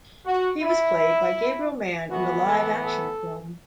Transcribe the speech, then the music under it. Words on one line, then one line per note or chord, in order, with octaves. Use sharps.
He was played by Gabriel Mann in the live-action film.
F#4
E4
A2 E3 B3 F#4
A4
A4